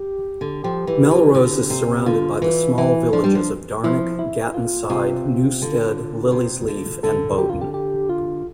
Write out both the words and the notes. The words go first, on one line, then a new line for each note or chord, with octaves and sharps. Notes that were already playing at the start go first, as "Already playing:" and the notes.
Melrose is surrounded by the small villages of Darnick, Gattonside, Newstead, Lilliesleaf and Bowden.
Already playing: G4
D3
F3 G4
E3
E3
D3
C3
D3 F4
E3
E3 E4
F3 D4
G3
F3
F3 E4
E4
F4
C3 F4
D3
C3
D3
D3 A4
G4
F4
G4
G4
F4